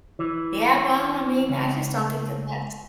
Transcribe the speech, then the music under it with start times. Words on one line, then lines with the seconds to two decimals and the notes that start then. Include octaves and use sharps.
Yeah, well, I mean, I just don't think that that's
0.19 E3
1.48 C#2